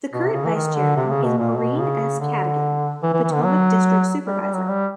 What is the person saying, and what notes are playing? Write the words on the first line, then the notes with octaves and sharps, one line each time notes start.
The current Vice-Chairman is Maureen S. Caddigan, the Potomac District Supervisor.
B2
C3
C#3
E3
D#3
D3
C3
C#3
B2
A#2
B2
C#3
D3
E3
E3
E3
D3
F#3
G3
G3
F#3
G3